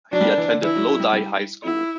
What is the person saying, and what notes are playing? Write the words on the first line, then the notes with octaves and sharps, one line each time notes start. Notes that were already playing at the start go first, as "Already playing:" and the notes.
He attended Lodi High School.
F#3 D4
G3
A#3
E3
D3
E3 E4
F#3
F#3
G3
G3
E4